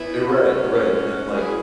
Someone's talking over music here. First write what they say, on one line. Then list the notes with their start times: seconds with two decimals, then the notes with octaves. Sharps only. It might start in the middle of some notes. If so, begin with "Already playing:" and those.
Eh, right, right, and like
Already playing: B3 E4
0.28 C#4 F#4
1.36 E4 G#4